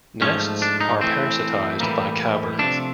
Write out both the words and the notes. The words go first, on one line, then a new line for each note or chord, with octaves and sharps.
Nests are parasitized by cowbirds.
G#2 F3 A3 C#4
D4
D#4
A2 E3 A3 C4
A2 E3 G3 A#3
C3 F3 A3 D4